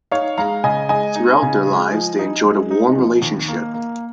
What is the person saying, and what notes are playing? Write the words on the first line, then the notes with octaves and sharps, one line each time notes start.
Throughout their lives, they enjoyed a warm relationship.
D#4 C#5 F5
G#3 F5 A#5
C#3 D#5 G#5
G#3 D#5 G#5
D#4
C#3
G#3
F3
D#4
G#3
D#4
F3
D#2
A#3
A#3